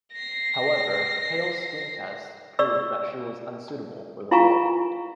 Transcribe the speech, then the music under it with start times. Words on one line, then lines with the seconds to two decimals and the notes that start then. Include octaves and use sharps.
However, Hale's screen tests proved that she was unsuitable for the role.
0.13 A#6 C7
2.59 D5 C#6 E6
4.31 E4 F4 F5 G#5 A#5 C#6